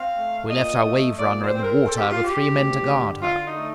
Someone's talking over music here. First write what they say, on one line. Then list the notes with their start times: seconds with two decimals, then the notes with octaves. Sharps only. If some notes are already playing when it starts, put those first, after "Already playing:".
We left our 'Waverunner' in the water with three men to guard her.
Already playing: C4 F5
0.16 A3
0.49 A#2 D#5
0.83 A3
1.17 A#2 D5
1.40 C5
1.51 C4
1.63 A#4
1.85 C4 A4
1.98 G4
2.11 F4
2.19 C4 G4
2.54 D2
2.88 D3
3.22 D3 F4
3.45 D#4
3.56 A3